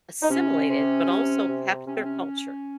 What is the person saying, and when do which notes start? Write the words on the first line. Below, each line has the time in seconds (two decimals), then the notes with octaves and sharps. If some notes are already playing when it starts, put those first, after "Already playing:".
assimilated, but also kept their culture.
0.22 D#4
0.29 C3 C#4
0.69 C3
1.09 C3
1.48 C3
1.86 C3 C#4
1.96 C4
2.05 C#4